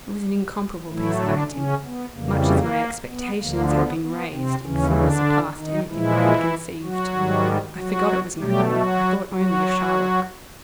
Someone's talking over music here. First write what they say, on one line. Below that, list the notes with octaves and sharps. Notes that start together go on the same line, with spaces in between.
It was an incomparable piece of acting: much as my expectations had been raised, it far surpassed any thing I had conceived--I forgot it was Macklin, I thought only of Shylock.
A2 E3 F#3 A3 E4
D3 D4
C#3 C#4
B3
F2 C#3 E3 G3 A#3
A#3
B3
D2 D3 F3 A#3
B3
B3
C3 C4
D#2 C#3 E3 C#4
D3 D4
D#3 D#4
A#2 E3 F3 G#3 E4
F#3 F#4
G#2 D#3 G3
F#3 F#4
B2 F#3 G3 A3 G4
F#3 F#4
F#3 F#4